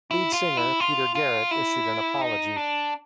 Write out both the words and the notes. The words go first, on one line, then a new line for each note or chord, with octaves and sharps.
Lead singer, Peter Garrett issued an apology.
E4
F4
E4
F4
F4
E4
D#4
D4